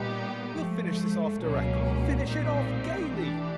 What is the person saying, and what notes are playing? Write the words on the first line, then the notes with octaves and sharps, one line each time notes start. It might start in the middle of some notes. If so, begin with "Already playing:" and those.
We'll finish this off directly, finish it off gayly.
Already playing: A#2 G3 B3 D#4 G4
G#2 F3 A3
C#2 B2 F#3 A#3 C#4
B1 A#2 G3 C4 D#4
E3 A3 D4 G4